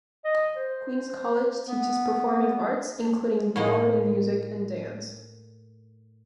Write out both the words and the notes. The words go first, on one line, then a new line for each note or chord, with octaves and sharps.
Queen's College teaches performing arts, including drama and music, and dance.
D#5
C5
B3
A2 A#3 D#4